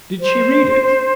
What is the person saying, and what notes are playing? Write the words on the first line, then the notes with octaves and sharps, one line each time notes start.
"Did she read it?"
C5